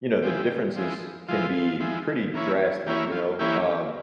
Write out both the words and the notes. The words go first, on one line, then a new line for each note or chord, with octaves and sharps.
you know the differences can be pretty drastic. You know? Um,
F3 G#3 E4 G4
F3 G#3 E4
F3 G#3 E4 F4
F3 G#3 E4
E3 A#3 C#4 E4
E3 A#3 C#4 E4 G4
F4
E3 A#3 C#4 E4 G4